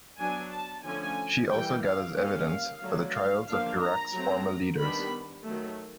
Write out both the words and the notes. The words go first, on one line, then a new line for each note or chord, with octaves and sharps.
She also gathers evidence for the trials of Iraq's former leaders.
F#3 B3 D4 G#5
A5
D3 F3 A3 C#4 G#5
E3 G3 A#3 G5
F5
D#3 G3 A#3 C#4 F5
D3 F#3 A3
F5
F3 A#3 D4 F5
A#5
F#3 A3 C4
D#3 G3 B3 D4 B5
D#3 F#3 A3